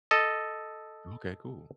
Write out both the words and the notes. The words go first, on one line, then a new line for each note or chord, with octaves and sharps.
Okay, cool.
A4 D#5